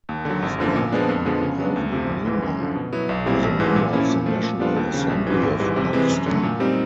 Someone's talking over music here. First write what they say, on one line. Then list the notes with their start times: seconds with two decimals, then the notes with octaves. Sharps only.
His daughter, Marvi Memon, was a member of the National Assembly of Pakistan.
0.09 D#2
0.25 D3 F#3
0.42 G#1
0.58 F#2 D3 F3 A#3
0.76 A#2
0.92 F3 G#3 B3 D4
1.09 F2
1.25 D3 F3 G#3 B3
1.42 C#3
1.58 F#3 B3 D4
1.76 D2
1.92 C3 F3
2.09 G#1
2.25 G#2 E3
2.42 F#2
2.60 D3 F3
2.75 B2
2.93 F#3 B3 E4
3.09 B1
3.26 A#2 G3 C4 E4
3.43 A1
3.60 G#2 E3 G#3
3.76 A#2
3.93 F3 A#3 C#4 E4
4.10 A#2
4.26 F3 A3
4.43 A#2
4.60 G3 B3 D4 F4
4.76 D#2
4.93 C#3 F3
5.10 A#1
5.27 G#2 E3
5.43 G#1
5.60 G#2 E3 G3
5.76 C3
5.93 E3 G#3 C4
6.10 F#2
6.26 D3 F#3 A3
6.43 A#2
6.60 G3 C4 D#4